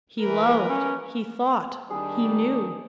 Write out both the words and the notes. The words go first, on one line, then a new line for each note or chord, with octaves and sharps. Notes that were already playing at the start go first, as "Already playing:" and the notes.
He loved, he thought, he knew.
E3 A#4 B4
C#4
D#3 G3 D4 G#4 D#6